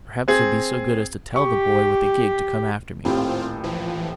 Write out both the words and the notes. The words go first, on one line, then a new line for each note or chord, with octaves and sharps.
Perhaps you'll be so good as to tell the boy with the gig to come after me?
C4 G#4
G4 C#6
D#1 A2 C4 F4 G4
E3 F3